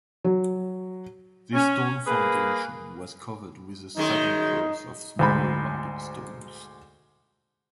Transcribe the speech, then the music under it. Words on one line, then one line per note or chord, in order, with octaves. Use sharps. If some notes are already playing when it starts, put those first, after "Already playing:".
This stone foundation was covered with a second course of smaller rounded stones.
F#3
C#4
A#3 G#4 B4
F#2 D#3 G#3 D#4
D2 G#2 B5